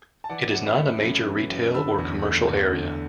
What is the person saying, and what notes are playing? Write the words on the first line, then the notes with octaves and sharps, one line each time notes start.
It is not a major retail or commercial area.
A5
E3 D5 F#5
F#2 F#5
B4 E5
A3
F#2
E3
F#2
D3 B5 E6
E2
A3
E2
D3